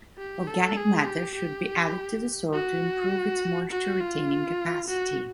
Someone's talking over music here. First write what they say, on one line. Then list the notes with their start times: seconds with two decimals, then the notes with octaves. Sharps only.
Organic matter should be added to the soil to improve its moisture-retaining capacity.
0.18 G4
0.47 A4
0.77 G#4
1.05 G4
1.35 G4
2.53 F#4
3.71 F#4
4.00 F4
4.88 F#4